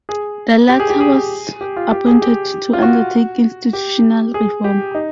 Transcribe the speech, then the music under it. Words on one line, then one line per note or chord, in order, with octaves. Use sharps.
The latter was appointed to undertake institutional reform.
G#4
G4
G#4
G4
G#4
G4
F4
G4
G#4
G4
F4
F#4
G4
G#4
G4
D#4